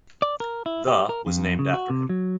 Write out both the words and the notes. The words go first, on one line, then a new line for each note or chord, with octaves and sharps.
The was named after him.
D5
A#4
E4
G4
A#4
F2
C#3
F#4
C3
F#3